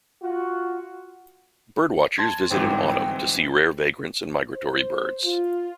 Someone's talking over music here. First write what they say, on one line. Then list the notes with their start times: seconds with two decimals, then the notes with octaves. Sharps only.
Birdwatchers visit in autumn to see rare vagrants and migratory birds.
0.23 F4 F#4
2.18 A5 C6 G#6
2.51 G1 G#2 E3 C4
4.53 C5
5.23 F4